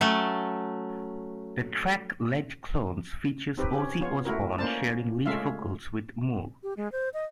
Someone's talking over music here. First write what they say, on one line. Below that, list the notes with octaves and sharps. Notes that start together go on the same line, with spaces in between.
The track "Led Clones" features Ozzy Osbourne sharing lead vocals with Moore.
F#3 A3 C#4 A4
C4 D#4 G4 B4
C#4 G4
B3 F4 C#5
A3 E4 F#4 A#4
A#3 C#4 A#4 C5 D5 A5
G#3 A3 C#4 F4 E5 F5
G4
G#3
C5
D#5